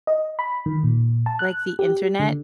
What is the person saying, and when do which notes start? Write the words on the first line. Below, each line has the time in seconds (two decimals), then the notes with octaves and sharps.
like, the Internet
0.07 D#5
0.39 B5
0.66 D#3
0.84 A#2
1.26 A5
1.39 F#6
1.79 G4
2.20 D3